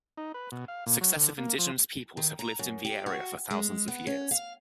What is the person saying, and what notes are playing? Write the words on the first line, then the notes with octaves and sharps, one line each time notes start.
Successive indigenous peoples had lived in the area for thousands of years.
D#4
B4
B2
F5
A#2
F#3
D3
A#3
F3
D#3
A#5
F#2
G4
F#4
G#3
B3
C#4
F5